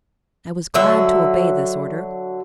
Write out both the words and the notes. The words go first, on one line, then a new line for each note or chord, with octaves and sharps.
I was glad to obey this order.
D3 F#3 E5